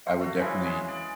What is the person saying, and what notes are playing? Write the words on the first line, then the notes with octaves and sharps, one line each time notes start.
I would, definitely,
A3 C5
A3 F#4
C#3 E3 G#3
G#4
D5